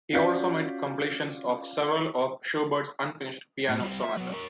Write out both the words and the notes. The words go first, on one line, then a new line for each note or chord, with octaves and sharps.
He also made completions of several of Schubert's unfinished piano sonatas.
C#4 F4 F#4 D5 G6 B6
A2
G3 C4
E5
F#3 B3
A#4 C#5